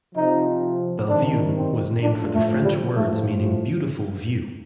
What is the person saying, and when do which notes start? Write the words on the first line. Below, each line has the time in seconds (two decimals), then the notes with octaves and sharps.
Bellevue was named for the French words meaning "beautiful view".
0.15 C3 F3 D#4
1.08 C3 D#3 D4
1.55 C4
2.02 A2 F3 D4
2.33 A3
2.64 G3
2.95 A2 F3 A3